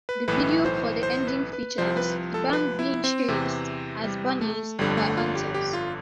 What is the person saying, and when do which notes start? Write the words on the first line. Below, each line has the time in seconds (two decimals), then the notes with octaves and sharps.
The video for The Ending features the band being chased as bunnies by hunters.
0.09 B4
0.28 B1 A2 E3 B4
0.65 C5
1.03 C5
1.27 B4
1.53 B4
1.78 C2 C3 F3 C5
1.97 B4
2.34 A4
2.53 B4
2.79 E4
3.04 C4
3.28 E2 C3 E3
4.04 G3
4.41 A3
4.79 G1 F2 D3 G3
4.97 A3
5.17 F4
5.35 G4
5.54 G4
5.73 F4